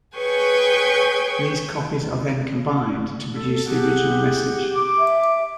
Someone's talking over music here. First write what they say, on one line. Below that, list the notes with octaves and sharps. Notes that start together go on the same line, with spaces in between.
These copies are then combined to produce the original message.
G#4 B4 C#5 G5 G#5 C#6
A4
G4 G#4 F#5
D6
E5